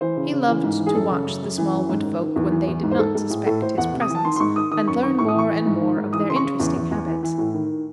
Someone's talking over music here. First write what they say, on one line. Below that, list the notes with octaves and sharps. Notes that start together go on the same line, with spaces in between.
He loved to watch the small woods folk when they did not suspect his presence, and learn more and more of their interesting habits.
E3 C5
C#3
C#3
E3
G#2
E3
G#4
F#2 A4
C#3
F#2
F#2
E3
F#2
G#2
D#3
D#3
E2
E3
E2
G#2
C5
G#2 A4
G#2 A4
A2 G#4
A2 A4
A2 C5
E2 F#5
C3
D#6
E3
A5
D#3 C6
C6
G#2 C#6
D#3 D#6
D#3 D#6
F#2 C#6
D#3 C#6
A2 C#6
D#6
E3 C#6
E3
G#2
D#3
G#2
E3 D#6
C#3 C6
C#6
C#3
E2
E2
E2
E3
E3
A2
D#3